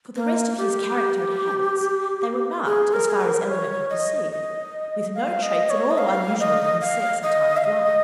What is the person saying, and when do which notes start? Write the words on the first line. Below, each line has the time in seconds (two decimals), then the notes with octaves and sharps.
For the rest of his character and habits, they were marked, as far as Elinor could perceive, with no traits at all unusual in his sex and time of life.
0.16 A#3
0.58 G4
2.66 G#4
2.93 A#4
3.09 G#4
3.21 A#4
3.48 C#5
3.90 D#5
4.32 D#5
5.15 F5
5.43 D#5
5.70 C#5
5.91 D#5
5.98 F5
6.40 D#5
6.81 F5
7.23 D#5
7.57 F5
7.64 D#5